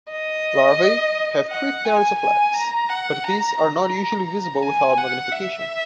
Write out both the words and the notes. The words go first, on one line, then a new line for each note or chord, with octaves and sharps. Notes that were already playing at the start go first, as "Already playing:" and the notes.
Larvae have three pairs of legs, but these are not usually visible without magnification.
D#5
F#5
G#5
G#5
A#5
F#5
A#5
A#5
A#5
G#5
F#5
E5